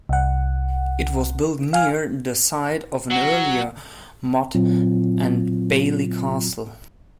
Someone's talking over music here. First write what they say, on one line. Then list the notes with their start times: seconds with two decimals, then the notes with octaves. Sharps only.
It was built near the site of an earlier motte and bailey castle.
0.09 C2 F#5
1.73 F5 G#5 F6
3.11 F#3 F#5
4.55 A#2 F#3 C4 F4